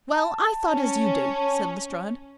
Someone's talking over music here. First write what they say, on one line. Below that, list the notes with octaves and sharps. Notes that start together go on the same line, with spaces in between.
"Well, I thought as you do," said Lestrade.
A5
C#4